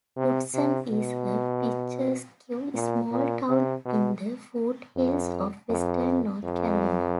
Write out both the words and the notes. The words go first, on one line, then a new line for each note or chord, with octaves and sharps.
Hudson is a picturesque small town in the foothills of Western North Carolina.
C3
C3
B2
A#2
A#2
C3
B2
F2
F2
F2